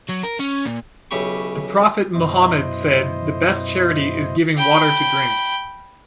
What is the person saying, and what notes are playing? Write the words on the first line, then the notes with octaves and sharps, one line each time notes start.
The Prophet Muhammad said, "The best charity is giving water to drink".
F#3
A#4
C#4
A#2
B1 C#3 E4 G4 B5 C#6
F#2 B2 E4 C5 D#5
G5 B5